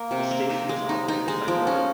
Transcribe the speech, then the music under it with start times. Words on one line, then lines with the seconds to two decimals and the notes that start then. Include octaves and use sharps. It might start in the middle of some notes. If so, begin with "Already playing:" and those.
The station is operated by Northern.
Already playing: A#3
0.11 C3
0.31 A#3
0.50 D#4
0.69 G#3
0.89 D#4
1.08 D#4
1.28 G#3
1.48 F3
1.67 C#4